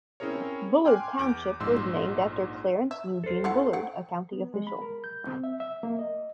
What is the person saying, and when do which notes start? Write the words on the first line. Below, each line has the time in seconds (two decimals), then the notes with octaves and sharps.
Bullard Township was named after Clarence Eugene Bullard, a county official.
0.20 C4 C#4 E4 G#4 A#4 C#5
0.85 G5 G#5 C6 D6 F6 F#6
1.19 E2 D6 G6 D7
1.60 A#1 G#2 C6 E6
2.91 E5
3.24 A4 C5
3.44 F3 E4 F#5
3.73 F#5 G5
4.32 B3
4.54 G#3
4.67 B5
4.82 A#4
5.04 G6
5.27 C4
5.44 E5
5.60 E5
5.83 A#3
5.99 D#5